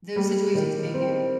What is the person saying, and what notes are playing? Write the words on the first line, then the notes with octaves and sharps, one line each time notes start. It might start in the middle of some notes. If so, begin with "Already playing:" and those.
Those situations can get
G3
D#3
C4